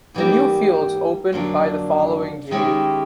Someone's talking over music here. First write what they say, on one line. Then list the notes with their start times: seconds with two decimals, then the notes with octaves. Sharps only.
The new fields opened by the following yea.
0.14 G#2 E3 G3 A#3
1.33 F2 D3 F#3 A#3 D4
2.51 D#3 G#3 C#4 E4 G4